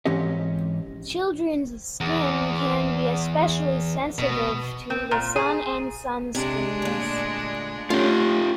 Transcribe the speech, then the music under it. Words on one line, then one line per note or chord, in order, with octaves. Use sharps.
Children's skin can be especially sensitive to the sun and sunscreens.
G#2 E3 C4 C#4 G4 D#5
E2
B2
C4
A#2
G#4
C3 G#3 D4
D2 A#2
D3 A3 C#4 F4 G4